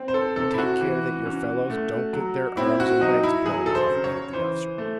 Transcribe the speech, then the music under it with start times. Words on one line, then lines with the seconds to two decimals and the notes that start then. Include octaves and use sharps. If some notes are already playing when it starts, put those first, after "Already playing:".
"And take care that your fellows don't get their arms and legs blown off," added the officer.
Already playing: C4
0.08 C5
0.14 A4
0.36 C3 A4
0.54 E4
0.58 F#4
0.81 E3
1.26 C#4
1.70 A3
2.13 F#3
2.57 C4 E4
2.80 F#4
3.01 F#3 D#4
3.23 E4
3.46 F#3 G#4
3.66 A4
3.75 C5
3.90 C#3
4.04 C#5
4.33 E3 C5
4.78 A3